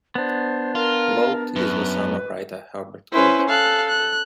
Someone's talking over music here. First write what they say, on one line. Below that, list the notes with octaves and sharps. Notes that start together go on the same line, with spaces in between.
Gold is the son of writer Herbert Gold.
B3 D4 C5
F4 A#4
F#2 B4
C#4 E4 B4 C5
A4 F5 F#6
F#6